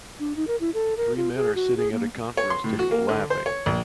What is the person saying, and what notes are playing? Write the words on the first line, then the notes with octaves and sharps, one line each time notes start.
Three men are sitting at a conference table laughing.
D4
D#4
A#4
E4
A4
A#4
F4
G#4
F#4
G#4
A#3
C#5
C6
A2
F#4
A#3
D3
C5
C#5
A#1